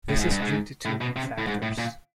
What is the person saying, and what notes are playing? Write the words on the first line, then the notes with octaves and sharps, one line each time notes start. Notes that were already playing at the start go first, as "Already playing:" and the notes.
This is due to two main factors.
A2
G#2
G2
G#2
A2
B2
C3
A2
G#2
A2
A#2